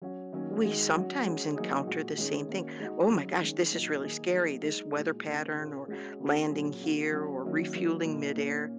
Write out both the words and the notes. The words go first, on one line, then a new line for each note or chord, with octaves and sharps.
we sometimes encounter the same thing. 'Oh my gosh. This is really scary. This weather pattern or landing here or refueling midair.'"
F#3 C#4 F#4
D#3 F#3 A#3 C#4
D#3 G#3 F#4
F#3 C#4 F#4
G#3 C#4 F#4
F#3 A#3 D#4 G#4
A#2 G#3 F#4
D#3 G#3 C#4 G#4
D#3 A#3 C#4 F#4
G#3 D#4 F#4
C#3 F#3 D#4 F#4
D#3 G#3 C#4
A#2 F#3 D#4 F#4
D#3 A#3 D#4 G#4
F#3 A#3 D#4 G#4
G#3 D#4 G#4
A#2 G#3 F#4
C#3 A#3 D#4 G#4
A#2 A#3 C#4 G#4
G#3 C#4 F#4
C#3 A#3 F#4
A#2 F#3 C#4 G#4
C#3 A#3 F#4
F#3 C#4 F#4
D#3 F#3 A#3 C#4 F#4
D#3 F#3 A#3
A#2 A#3 D#4
A#2 A#3 C#4